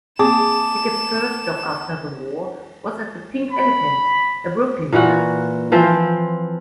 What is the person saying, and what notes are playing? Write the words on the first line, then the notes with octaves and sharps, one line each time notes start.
Hackett's first job after the war was at the Pink Elephant, a Brooklyn club.
A#3 C4 G#4 A5 D6 E7
B5
A#2 E3 F#4 F#5
E3 F3 C4